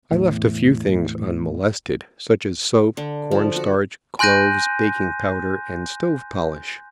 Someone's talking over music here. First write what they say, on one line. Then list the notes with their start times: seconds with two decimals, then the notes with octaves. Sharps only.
I left a few things unmolested; such as soap, cornstarch, cloves, baking-powder and stove-polish.
0.11 E2 A2
2.97 D3
3.31 F3
3.56 F#4
4.19 G#5 C6 F#6 G6 A#6 D#7